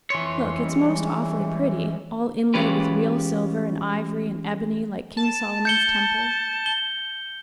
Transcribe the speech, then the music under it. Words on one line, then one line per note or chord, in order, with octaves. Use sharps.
Look, it's most awfully pretty - all inlaid with real silver and ivory and ebony like King Solomon's temple.'
F2 E3 C#5 C6
G3 G#3 C#4
E3 G#3 C#4 F4 G4 B4
A5
G6 C#7 G7
G7